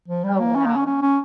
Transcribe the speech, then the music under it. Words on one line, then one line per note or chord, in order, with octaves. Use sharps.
Oh, wow.
F3
G3
A#3
C#4
A#3
C#4
C#4
C#4